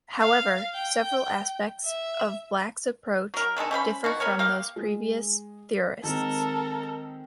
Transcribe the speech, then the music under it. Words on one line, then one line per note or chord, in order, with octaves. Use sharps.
However, several aspects of Black's approach differ from those previous theorists.
F5
G5
E5
F#3 A#4
D3 D#3 G#3 A4
C#4 C5 F5 B5
B2 D#3 F#4
B3 A#4 C#5
A#3 G4 F5
G#3
D#3 G#3 C4 A4 A#4